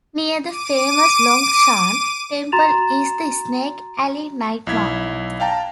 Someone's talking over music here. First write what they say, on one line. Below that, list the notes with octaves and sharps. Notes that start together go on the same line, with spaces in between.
Near the famous Longshan Temple is the Snake Alley Night Market.
D6 D#7
F#4 A#5 C6 A6 E7 F7
B1 E4 G#6 B6
F5 G5 A5 A#5